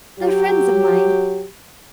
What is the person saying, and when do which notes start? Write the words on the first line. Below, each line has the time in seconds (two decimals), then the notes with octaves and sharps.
They're friends of mine.
0.19 F#3 G4